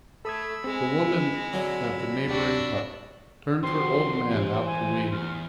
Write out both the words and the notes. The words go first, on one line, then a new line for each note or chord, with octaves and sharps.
The woman at the neighbouring hut turned her old man out to weed.
A3 A4 B5 D#6 E6 G#6
G#3 C4 G#4
D3 F#3
D2 D4 F#4 G4
D#3 F3 C4 F#4 C6
E3 G4 C5
G#3 G4 G#5
E2 F6